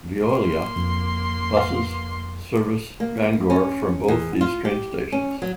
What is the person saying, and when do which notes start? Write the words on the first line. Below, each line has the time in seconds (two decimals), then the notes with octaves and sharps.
Veolia buses service Bangor from both these train stations.
0.23 A#3 C6
0.76 F2
1.57 B4 F5 F#5
3.00 A#3
3.50 C#4
4.08 E2
4.41 F4
4.65 G4
5.12 C#4
5.42 F#3